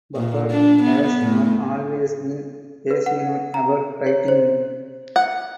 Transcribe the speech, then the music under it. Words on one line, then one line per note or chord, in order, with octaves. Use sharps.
Bahgat has not always been passionate about writing.
A#2
D4
B3
A2
B4
F#5
A#5
C#5
C5
F#5